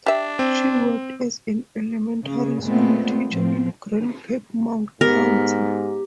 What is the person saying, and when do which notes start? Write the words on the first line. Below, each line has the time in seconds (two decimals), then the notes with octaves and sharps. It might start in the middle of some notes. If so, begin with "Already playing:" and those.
She worked as an elementary school teacher in Grand Cape Mount County.
0.06 D4 G4 E5
0.39 C4
2.23 C#3
2.63 A#2 G#3 A3 B3 C4
3.30 A2 F3 C4
5.01 G#2 B3 G4 A#4